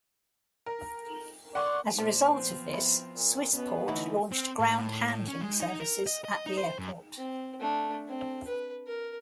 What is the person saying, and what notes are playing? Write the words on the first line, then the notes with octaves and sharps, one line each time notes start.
As a result of this, Swissport launched ground handling services at the airport.
A#4
D5 F#5 C6 C#6
A#2 A4 C5 D5
F3 B3 C4
E4
A#2
B2 B3 C#4 B4
D3 E3 F#3 A3 D#4 E4
C4
A2
C#4
G#3
D#4
A#4
D#5
D#5
D#4
C5
F#2
C4
A3 D4
C4
B4
A#4